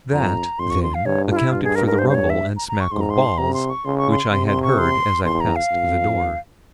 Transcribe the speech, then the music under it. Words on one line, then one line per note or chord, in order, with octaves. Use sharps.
That, then, accounted for the rumble and smack of balls which I had heard as I passed the door.
F2 A#5
F2 C6
C#6
C6
F5
G2 C#5
F4
E4
G2 F4
G#4
A#4
A#4
C5
C5
C#5
E5
A#5
A#5
C#6
G#2 C6
A#5
C6
C3 A#5
C6
C#6
C#3 C6
C#6
C6
C3 C6
C6
C#6
C6
E2 C6
A#5
F5
F2